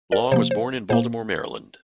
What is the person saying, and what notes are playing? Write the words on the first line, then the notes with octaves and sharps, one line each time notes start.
Long was born in Baltimore, Maryland.
A#4 D5
C3 F3 A#3 C5
C5
A#2 A#3 C5